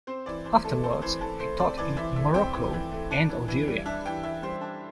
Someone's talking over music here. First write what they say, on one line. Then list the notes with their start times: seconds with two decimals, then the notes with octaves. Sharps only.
Afterwards, he taught in Morocco and Algeria.
0.07 C4 C5
0.26 E3 D5
0.45 E3 C5
0.64 A3 A4
0.83 C4 A4
1.02 E3 C5
1.21 E3 A4
1.40 A3 C5
1.58 C4 D5
1.77 E3 D5
1.97 E3 E5
2.16 A3 E5
2.34 C4 G5
2.54 E3
2.73 E3
2.91 A3
3.11 D4
3.29 E3
3.48 E3
3.67 G3
3.86 D4 E5
4.05 E3 G5
4.23 E3 E5
4.42 G3 C5
4.61 D4